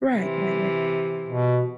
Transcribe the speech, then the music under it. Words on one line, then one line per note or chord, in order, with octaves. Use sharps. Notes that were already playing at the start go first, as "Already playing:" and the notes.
Right. Right, right.
C3 E3
B2